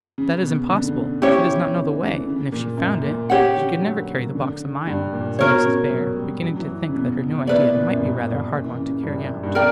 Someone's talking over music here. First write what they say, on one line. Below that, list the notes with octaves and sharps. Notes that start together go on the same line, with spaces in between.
"That is impossible, she does not know the way, and if she found it, she could never carry the box a mile," said Mrs. Bhaer, beginning to think that her new idea might be rather a hard one to carry out.
C#3
B2
D3
D3
C#3
C#3 C#4 E4 G4 C#5
B2
C#3
E3
D3
C#3
A#2
F#2
A#2
C#3 G4 C#5 F#5
D3
F#3
A#3
F#3
D3
G2
A#2
B2 F#4 A#4 C#5
C#3
F#3
G3
F#3
F#3
E3
C#3
B2
B2 E4 B4 D5
A#2
F#2
G2
G2
A#2
E3
C#3
C#3
G2
F#2
G2
B2 A#4 D5 G5